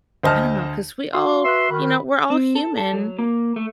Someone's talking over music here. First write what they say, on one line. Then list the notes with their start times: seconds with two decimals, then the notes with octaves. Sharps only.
I don't know, 'cause we all you know, we're all human.
0.23 D2 C5 D#5 A5 F6
1.13 F#4 F5 C6
1.44 F#4 B4 E5 C6 F#6
1.71 D#3 B5
2.30 C4
2.55 A4
2.77 A4
2.93 F#3
3.19 A#3
3.56 A3